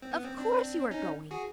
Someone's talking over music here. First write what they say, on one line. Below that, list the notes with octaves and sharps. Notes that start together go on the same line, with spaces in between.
"Of course you are going."
C4
B3
C4
C4 D4
C#4 D#4
F#4 G#4